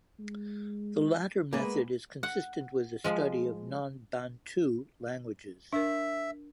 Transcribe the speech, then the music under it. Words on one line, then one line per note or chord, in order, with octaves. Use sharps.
The latter method is consistent with the study of non-Bantu languages.
G#3
G#3 A#3 B3 G#4 B4
F#5
F3 G#3
D4 A#4 E5